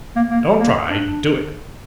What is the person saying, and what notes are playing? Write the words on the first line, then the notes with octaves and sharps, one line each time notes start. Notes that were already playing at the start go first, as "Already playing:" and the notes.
"Don't try--do it."
A#3
A#3
A#3
D4